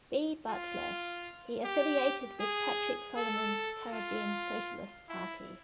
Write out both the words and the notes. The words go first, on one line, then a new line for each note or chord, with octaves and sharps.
B. Butler, he affiliated with Patrick Solomon's Caribbean Socialist Party.
F4
G4
G#4
A4
F4
E4